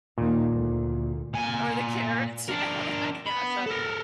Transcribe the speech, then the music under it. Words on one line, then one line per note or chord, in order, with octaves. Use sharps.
or the carrots, you know, like, yeah, so
D#2 A#2 D#3
D2
A#2 G#5
D4 A#4
B3 B5
A4 A#4